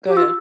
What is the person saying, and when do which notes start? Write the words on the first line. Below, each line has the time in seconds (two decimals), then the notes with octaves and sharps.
go ahead.
0.07 G4
0.17 F4 E6